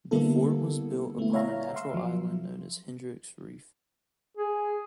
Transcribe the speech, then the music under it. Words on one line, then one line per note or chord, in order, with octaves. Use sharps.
The fort was built upon a natural island known as Hendrick's Reef.
D3 G3 A#3 B3 E4 A4
A3 B3 E4
C#5 E5 F5 A#5
E5 F5 C6 E6
F3 F#3
G#4